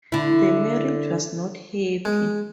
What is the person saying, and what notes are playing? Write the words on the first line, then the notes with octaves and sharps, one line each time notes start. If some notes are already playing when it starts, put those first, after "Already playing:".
The marriage was not happy.
D3 E4
G#3